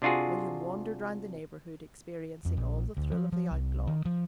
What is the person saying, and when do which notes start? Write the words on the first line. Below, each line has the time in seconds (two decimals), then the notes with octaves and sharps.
William wandered round the neighbourhood experiencing all the thrill of the outlaw.
0.02 C3 D4 F4 F#4 G#4
2.45 F2
2.57 A#1
2.97 D2
3.12 F3
3.32 F3
3.51 C2
3.87 D#3
4.05 F3